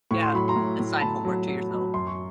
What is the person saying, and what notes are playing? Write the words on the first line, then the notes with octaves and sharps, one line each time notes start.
Yeah. Assign homework to yourself.
A2 C#6
C6
F#3 B5
A#5 C6
A2
A2
A2 A5 B5
F#3
F#3
F#3
F#2 C6
C#6